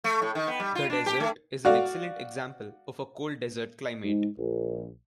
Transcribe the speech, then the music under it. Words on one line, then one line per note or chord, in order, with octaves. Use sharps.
The desert is an excellent example of a cold desert climate.
A3
A2
D#3
B3
G3
F4
D4
G4
A3
F#4 D5 F5
G#2
A#1